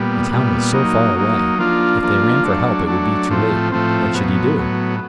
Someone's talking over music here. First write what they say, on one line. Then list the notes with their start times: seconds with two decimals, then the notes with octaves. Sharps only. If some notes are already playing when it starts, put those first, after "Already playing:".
The town was so far away--if they ran for help it would be too late; what should he do?
Already playing: A#2 G3 B3
0.31 A#2 G3 B3
0.73 F#3 A#3 D#4
1.16 F#3 A#3 D#4
1.58 F3 A#3 D4 F4
2.01 F3 A#3 D4 F4
2.43 F#3 A3 D4
2.86 F#3 A3 D4
3.29 A2 F3 A3 C4
3.72 A2 F3 A3 C4
4.14 A2 F#3 B3
4.57 A2 F#3 B3